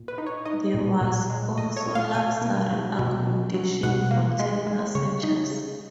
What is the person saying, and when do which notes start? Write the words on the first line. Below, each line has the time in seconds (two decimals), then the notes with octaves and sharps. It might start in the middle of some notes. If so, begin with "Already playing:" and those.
There was also luxury accommodation for ten passengers.
Already playing: A#2
0.08 B4
0.18 D#4
0.27 C#5
0.45 D#4 D#5
0.74 A#2
1.01 A#2
1.30 G#3
1.58 A#2 D#5
1.77 C#5
1.86 A#2
1.95 F5
2.15 B2 G#5
2.42 A#3
2.70 F#3
2.99 B2
3.27 B2
3.54 F#3
3.83 B2 F#5
4.11 A#3
4.40 G#3
4.67 G#3
4.95 C#3 C#5
5.23 D#4
5.51 C#3